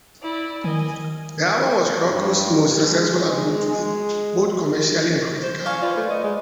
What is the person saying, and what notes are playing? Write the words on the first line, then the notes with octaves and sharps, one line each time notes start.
The album was Krokus' most successful album to date, both commercially and critically.
E4 D5
D#3 D#5 G#5
G2
G#3
G#3
G#3
C5
D5 F5 G#5 C#6
F4 B4 C5 D5
A3
D#5
G#3